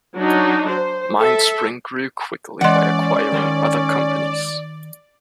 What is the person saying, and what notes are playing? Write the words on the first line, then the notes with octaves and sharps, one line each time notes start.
MindSpring grew quickly by acquiring other companies.
F#3 D4 D#4
C5
A4 E5
E3 G#3 C#4 D5 F#5
D#3 A#4 C6